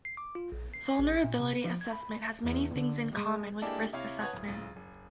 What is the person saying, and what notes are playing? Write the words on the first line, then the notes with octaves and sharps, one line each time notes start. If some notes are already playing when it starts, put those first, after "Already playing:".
Vulnerability assessment has many things in common with risk assessment.
C7
D6
F4
A#1
C7
A1
A#2
C3
B4
F3
G#6
B5
E2
D3
G#3
G#3 A#3 D4 E4 G4 A4
C3 E4 C#5 F5
B4 C#5 F#5 A5 D#6 G#6
D1
D1 C#2 A6
F#1